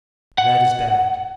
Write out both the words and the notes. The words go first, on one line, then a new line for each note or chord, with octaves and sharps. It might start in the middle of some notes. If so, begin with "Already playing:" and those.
That is bad!
F#5